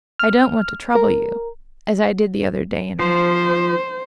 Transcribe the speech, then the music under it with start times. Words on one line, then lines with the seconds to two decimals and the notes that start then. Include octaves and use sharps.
I don't want to trouble you--as I did the other day in Rome.
0.19 F6
0.95 A#4
2.99 F3 C5